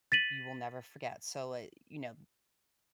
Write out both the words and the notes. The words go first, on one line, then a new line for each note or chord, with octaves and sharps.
you will never forget, so, uh, you know,
A6 B6 D#7 F#7